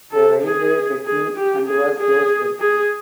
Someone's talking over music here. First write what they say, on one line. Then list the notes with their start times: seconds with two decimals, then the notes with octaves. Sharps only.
The railway between and was closed.
0.12 A4
0.43 G#4
1.05 G#4
1.36 G4
1.67 G#4
1.98 G#4
2.60 G#4